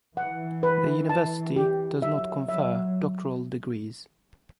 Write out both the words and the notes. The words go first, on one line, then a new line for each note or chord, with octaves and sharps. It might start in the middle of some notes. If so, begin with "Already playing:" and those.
The university does not confer doctoral degrees.
E3 F#5
B4
A5
G4
F#3 E5
F#3 E5